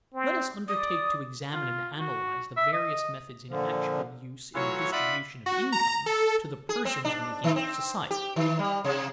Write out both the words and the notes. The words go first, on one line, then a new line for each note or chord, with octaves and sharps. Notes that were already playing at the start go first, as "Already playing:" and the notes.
Let us undertake to examine and analyze the various methods in actual use in the distribution of income to the persons making up society.
C4
D5 D#6
F4
F#4
E5
D#5
A#2 D3 F3
A2 E3 F#3 F4 C#5
D#4 F4 D5 E5 F#5 B5
F#4
A#5
A4
G#4
C4
D4
D#3
C4
G4
D#3
G3
C3